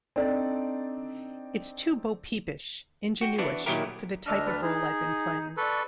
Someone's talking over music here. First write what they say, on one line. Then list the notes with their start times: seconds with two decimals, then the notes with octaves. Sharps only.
It's too bo-peepish, ingenueish, for the type of role I've been playing.
0.16 C4 D4 D#4 A4 D5
3.21 F#4 G5
3.38 E3 B3 D4 F#4
3.66 A#2 D#3 F#3 E4 G4 A#4
4.26 D2 D4 D#5 E6 F6
4.46 B4 D5
4.62 D#4 G#4
5.57 A4 B4 D5 C6 C#6